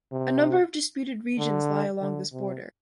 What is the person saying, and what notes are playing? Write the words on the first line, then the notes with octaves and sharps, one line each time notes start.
A number of disputed regions lie along this border.
C3
D3
D3
C3